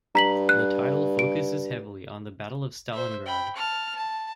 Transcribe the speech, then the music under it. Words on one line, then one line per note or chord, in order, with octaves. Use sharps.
The title focuses heavily on the Battle of Stalingrad.
G2 A#5 B6 F#7
F#6
D7
C5 E5
G5 B5
A5 F6
A5